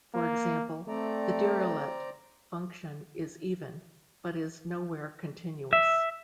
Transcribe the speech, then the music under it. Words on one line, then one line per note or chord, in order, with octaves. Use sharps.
For example, the Dirichlet function is even, but is nowhere continuous.
A#3
A3 C4 D5 A#5
E5